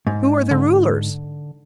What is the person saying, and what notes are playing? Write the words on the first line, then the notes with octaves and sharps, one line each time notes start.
Who are the rulers?
G#2
D3